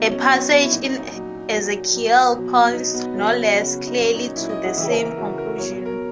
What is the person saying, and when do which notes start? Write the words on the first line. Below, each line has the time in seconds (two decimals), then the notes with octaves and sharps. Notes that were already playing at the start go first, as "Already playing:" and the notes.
A passage in Ezekiel points no less clearly to the same conclusion.
Already playing: B2 F#3 D#4
0.10 C#4
0.30 B2 F#3 B3
0.51 C#4
0.62 E4
0.71 A#2 F#3 D#4
0.84 D#4
0.98 D#4
1.11 A#2 F#3
1.52 A#2 F#3
1.93 A#2 F#3
2.34 B2 F#3
2.74 B2 F#3 D#4
2.94 B3
3.14 C#3 F#3
3.55 C#3 F#3
3.87 D#4
3.96 A#2 F#3 C#4
4.16 D#4
4.36 A#2 F#3 E4
4.50 D#5
4.63 F#5
4.77 C#3 E3 E5
4.97 A#4
5.17 C#3 E3 F#4
5.38 A#4
5.58 B2 F#3 C#5
5.72 C#5
5.86 A#4